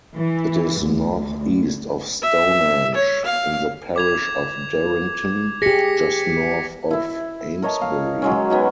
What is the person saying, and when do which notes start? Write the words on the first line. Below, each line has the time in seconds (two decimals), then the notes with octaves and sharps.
It is north-east of Stonehenge in the parish of Durrington, just north of Amesbury.
0.15 E3
0.83 D2
2.22 E5
2.95 C#5
3.25 F5
3.96 D6 G#6 F7
5.62 G4 G#4 A#6 B6 C#7
6.91 E4 E5
7.62 A#4 C#5 D#5 A5
7.81 F5
8.22 F#3 G#3 C#4
8.50 B3 D#4 F#4